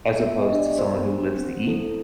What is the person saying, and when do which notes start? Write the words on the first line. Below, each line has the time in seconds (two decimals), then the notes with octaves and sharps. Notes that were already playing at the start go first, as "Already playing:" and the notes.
as opposed to someone who lives to eat,
0.20 B3 E5
0.39 D#5
0.49 D4 G4
0.59 D5
0.78 B3 C5
1.07 D4 G4
1.37 C4
1.66 E4 A4